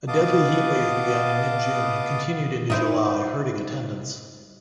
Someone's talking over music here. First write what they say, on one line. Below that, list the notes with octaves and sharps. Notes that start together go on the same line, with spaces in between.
A deadly heat wave began in mid-June and continued into July hurting attendance.
B3 D#5 F5 A5 D6 D#6
D#4 E4 C5